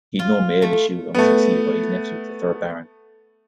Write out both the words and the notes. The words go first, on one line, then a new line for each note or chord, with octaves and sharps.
He had no male issue and was succeeded by his nephew, the third Baron.
F4
A3
A3 B3